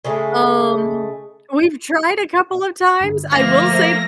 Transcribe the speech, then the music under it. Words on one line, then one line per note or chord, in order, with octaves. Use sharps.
Um, we've tried a couple of times, I will say the
C#3 G#3 A3
G2 D3
F3 A3 A#3 A#6
A4 C5 E5